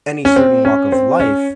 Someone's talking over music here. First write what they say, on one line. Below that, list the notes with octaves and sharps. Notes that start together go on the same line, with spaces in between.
any certain walk of life
C#4
C4
C#4
C4
C#4